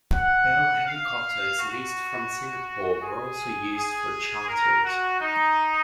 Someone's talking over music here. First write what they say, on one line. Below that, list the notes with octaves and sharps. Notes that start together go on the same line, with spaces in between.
Bell Helicopters leased from Singapore were also used for charters.
F#5
F5
F#4
G#4
G#4
A#4
F#4
D#4